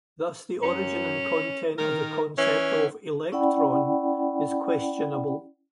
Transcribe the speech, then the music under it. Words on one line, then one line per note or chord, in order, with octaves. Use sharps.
Thus, the origin and content of the concept of "electron" is questionable.
F#2 C#4
D#3 A#4
E3 C#4
C#4 E4 D5 F#5 G5 B5